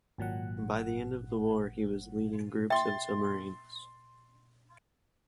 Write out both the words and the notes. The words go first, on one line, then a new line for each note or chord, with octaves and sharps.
By the end of the war he was leading groups of submarines.
G#1 A#2 F#3 F#5
E5 G5 C6 A6